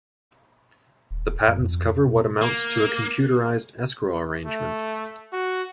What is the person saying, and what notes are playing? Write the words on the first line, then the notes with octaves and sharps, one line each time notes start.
The patents cover what amounts to a computerized escrow arrangement.
D#1
F#2
F2
B2
A#3
A3
F#4